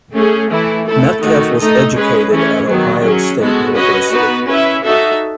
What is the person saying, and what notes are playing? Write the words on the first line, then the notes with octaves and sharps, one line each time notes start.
Medkeff was educated at Ohio State University.
A3 C#4 G#4
E3 A3 E4
A3 E4 A4
D#3 A3 D#4 F#4
A3 D#4 A4 D#5
G#3 C#4 G#4 B4
E3 A3 C#4 G#4
D#3 F#3 B3
F#3 C#4 G#4
G#3 B3 F#4 A4
C#4 F#4 B4 D#5
B3 D#4 F#4 B4
C#4 E4 B4 E5
D#4 F#4 A4 E5